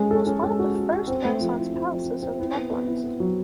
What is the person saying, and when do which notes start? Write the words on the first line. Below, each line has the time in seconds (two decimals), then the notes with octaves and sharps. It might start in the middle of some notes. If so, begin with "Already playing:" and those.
It was one of the first Renaissance palaces in the Netherlands.
Already playing: G#3 C#4
0.11 A4
0.27 C#4
0.43 G#3
0.59 F#4
0.76 F#4
0.93 F#4
1.08 C4
1.25 A3
1.41 F3
1.57 E4
1.74 C4
1.90 F3
2.06 C4
2.23 C4
2.39 E4
2.55 B3
2.71 B3
2.87 E4
3.04 B3
3.20 F#3